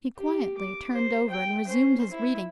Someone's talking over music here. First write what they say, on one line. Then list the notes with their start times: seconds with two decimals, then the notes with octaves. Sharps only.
He quietly turned over, and resumed his reading.
0.17 G4
0.58 D6
0.93 C5
1.31 G5
1.67 C#4 C5
2.11 E4